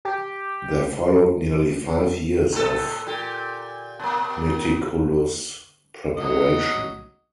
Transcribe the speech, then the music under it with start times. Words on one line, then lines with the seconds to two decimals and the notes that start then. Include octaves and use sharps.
There followed nearly five years of meticulous preparation.
0.05 G4
2.53 A2 A4
3.07 A#2 G4
3.99 B2 A#3
6.17 F#3 D#5